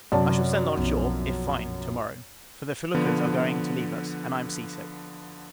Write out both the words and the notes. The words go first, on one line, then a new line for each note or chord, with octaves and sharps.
I shall send on shore, if fine, to-morrow; for the feluccas are going to leave us, and I am sea-sick.
F#2 C3 F#3 D5 A5
B1 F2
D3 F3 B3